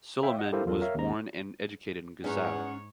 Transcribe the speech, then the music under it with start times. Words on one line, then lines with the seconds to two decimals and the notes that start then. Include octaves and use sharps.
Suleiman was born and educated in Gusau.
0.23 C#5 E5 F5 G5
0.39 D#5 F#5
0.52 E4 G4 A4 A#4 C5 F5
0.65 E2 F#3 F4 A4 A#4
0.81 A#4 C#5 E5 F5
0.95 D#2 C#4 A#5
2.24 E2 G#2 C#4 G#4 C#5 F#5 A#5